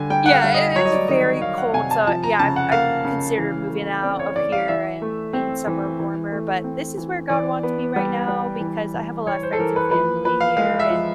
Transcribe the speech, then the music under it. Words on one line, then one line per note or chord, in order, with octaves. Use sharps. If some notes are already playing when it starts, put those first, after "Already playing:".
Yeah, it is very cold, so yeah, I've I've considered moving out of here and being somewhere warmer, but this is where God wants me right now because I have a lotta friends and family here and,
Already playing: D3 G3 G#5
G3 G5
F#5
F5
G3
D#5
F#3 C#5
D#5
D5
D#3 D#5
D#3 F5
F#5
C3 G#5
A5
F3 A5
A#5
C#3 A5
F#5
A#3 F5
C#3
E3
A3
C4 D5
C#5
E3 D5
F5
E3 E5
A3
C4
E3
E3
A3
C4
E3
E3 D5
B3
G3
G3
E3
E3
E3 C#5
C5
A4
E3 A#4
B4
F3 B4
F3 B4
F5
G#3 F5
E5
F3